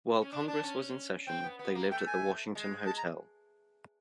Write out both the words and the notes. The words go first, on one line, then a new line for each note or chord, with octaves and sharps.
While Congress was in session, they lived at the Washington Hotel.
C#4
D4
D4 A5
C#4
C4 G5
B3
B3
A#3
A3 G5
G#5
G#3
A5
A#5